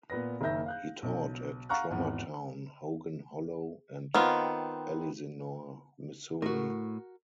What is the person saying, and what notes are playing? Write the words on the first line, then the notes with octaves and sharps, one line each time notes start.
He taught at Crommertown, Hogan Hollow and Ellsinore, Missouri.
A#2 B3 B4 A#6
F#1 D#3 A#3 E5 G6 A#6
F5 F#6 G6
B1
F5 F#5 A#5 C#6 F6 F#6
G#1 E2
D#3 B3 C4 F4
A2 F#4 A#4